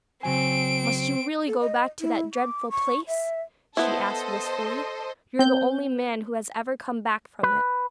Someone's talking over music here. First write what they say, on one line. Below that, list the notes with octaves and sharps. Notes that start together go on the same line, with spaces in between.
'Must you really go back to that dreadful place?' she asked wistfully. 'You are the only man who has ever come back from it.'
C#3 F#3 C4 G#5 D7
A4
D#5
E4
D6
C#6
E5
B3 E4 A4 C5 D#5
C4 G6
B4